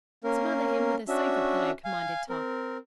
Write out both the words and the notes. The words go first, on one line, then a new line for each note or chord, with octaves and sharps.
"Smother him with a sofa pillow!" commanded Tom.
A#3 C#4 A#4
C#4 D4 F#4 E5
F5 G#5
C4 A#4